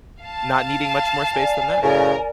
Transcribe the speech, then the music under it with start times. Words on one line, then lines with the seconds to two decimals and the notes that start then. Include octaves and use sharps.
not needing much more space than that.
0.21 F5 A5
1.34 D5 G#5
1.83 F#2 A2 C#3 A#4